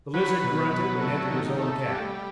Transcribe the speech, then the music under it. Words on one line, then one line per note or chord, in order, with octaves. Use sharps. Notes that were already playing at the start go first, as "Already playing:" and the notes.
The Lizard grunted and entered his own cab.
F#3 B4
B2
F#3
A3
D#3
A3
G3